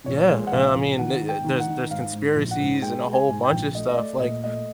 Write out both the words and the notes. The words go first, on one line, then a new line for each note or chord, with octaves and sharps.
Yeah, and I mean, uh uh, there's there's conspiracies, and a whole bunch of stuff like,
A#1 C#5
G#3
F#5
A#1 F5
A#1
D#3 F#5
G#2
G5
D#3
F#5
D#3
G#2 F5
G#2
A#1
F#5
G#2
G#3 G5
G#3
G#5
G#2
G5
A#1
A3 D#5
D#5
A3 D5
A#2 D#5
A3 D#5